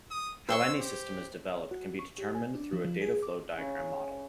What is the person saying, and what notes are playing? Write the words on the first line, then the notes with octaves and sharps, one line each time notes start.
How any system is developed can be determined through a data flow diagram model.
D#6
C5 C6 C#6 E6
G4
F#4
C#6
G4
G#5
D4
F3
F3
G#4
D6
C#3